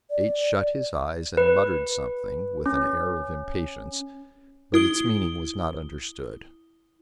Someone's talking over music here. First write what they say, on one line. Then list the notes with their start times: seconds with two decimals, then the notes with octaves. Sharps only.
H-- shut his eyes and muttered something, with an air of impatience; but its meaning was not understood.
0.10 D5
1.37 B4
2.66 C#4
4.74 E4 D#6 G7